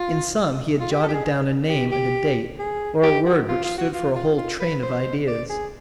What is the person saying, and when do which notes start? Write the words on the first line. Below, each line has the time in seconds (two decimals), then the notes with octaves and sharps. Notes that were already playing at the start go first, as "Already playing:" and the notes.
In some he had jotted down a name and a date, or a word which stood for a whole train of ideas.
Already playing: F4
0.80 F4
0.91 G4
1.03 A4
1.09 G4
1.14 G#4
1.25 G#4
1.69 G4
1.91 G4
2.59 G#4
3.03 G4
3.26 F#4
3.49 F4
3.64 F4
3.78 F#4
3.94 F4
4.16 F4
4.38 F4
4.60 B4
4.83 C5
5.28 D5
5.50 G#4